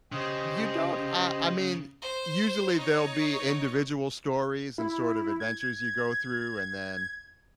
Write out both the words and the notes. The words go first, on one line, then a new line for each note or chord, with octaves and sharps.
You don't I I mean, usually there'll be individual stories and sort of adventures you go through and then,
C#3 G4 C5 D#5
C5
D#4 C#5
E4
G#6